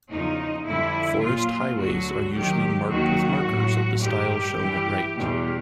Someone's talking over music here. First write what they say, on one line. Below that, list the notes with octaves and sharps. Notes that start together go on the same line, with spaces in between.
Forest highways are usually marked with markers of the style shown at right.
E2 C#3 F3 D#4
F2 D3 G3 E4
A#2 F#3 F4
D2 D3 F#3 F#4
D#2 D#3 F#3 G4
D#2 D#3 F#3 F#4
A2 F#3
G2 D#3 G3 G4
G2 E3 G3
E2 B2 G3